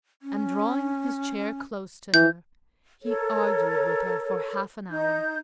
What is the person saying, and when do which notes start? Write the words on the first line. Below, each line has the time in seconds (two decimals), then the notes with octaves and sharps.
And, drawing his chair close to her, he argued with her for half an hour.
0.22 C#4
2.14 E3 G6
3.04 A4 A#4 C#5
4.90 D#4 G6